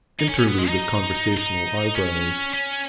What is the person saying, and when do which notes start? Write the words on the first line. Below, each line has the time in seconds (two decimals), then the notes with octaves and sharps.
Interlude of conversational eyebrows.
0.20 D#4
0.29 C#4
0.39 C#4
0.48 B3
0.59 G#3
0.68 D#4
1.37 D#4
1.95 C#4
2.54 C#4